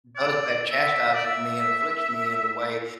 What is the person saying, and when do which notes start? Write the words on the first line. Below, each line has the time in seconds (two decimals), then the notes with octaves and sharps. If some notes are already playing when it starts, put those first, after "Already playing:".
i does that chastises me and afflicts me in the way,
0.16 D5
0.70 E5
1.14 D5
1.24 E5